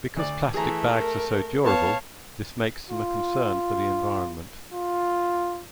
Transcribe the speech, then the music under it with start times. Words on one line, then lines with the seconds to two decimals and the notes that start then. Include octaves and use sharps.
Because plastic bags are so durable, this makes them a concern for the environment.
0.17 D2 D5
0.54 E3 A3 G#4 A#5
0.93 A#4
1.65 B3 C#5 F5 A5
2.90 F4
4.73 F4